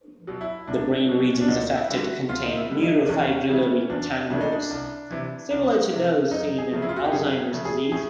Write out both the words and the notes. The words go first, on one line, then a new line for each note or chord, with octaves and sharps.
The brain regions affected contain neurofibrillary tangles, similar to those seen in Alzheimer's disease.
B2 F#3
E4
C2 D4
B2 F#3
C#4
D4
D2 D#4
E4
D3 G3
F#4
D2 F4
D#4
E4
D3 G3
D#4
D4
E2 C#4
C#3 E3 A3
E2 D4
C#3 E3 A3 D4
D#4
D4
C2
C3 E3
C2
C3 E3
F#2 D#4
G#4
C#3 F3 A3
E4
F4
F#4
G4
F#2 G#4
C#3 F3 A3
G#4
A2 G#4